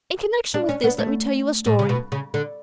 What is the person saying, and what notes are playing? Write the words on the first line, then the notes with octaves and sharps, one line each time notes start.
In connection with this, let me tell you a story.
D4
C#4
B3
A3
A2
C#3
B2
C#3
D3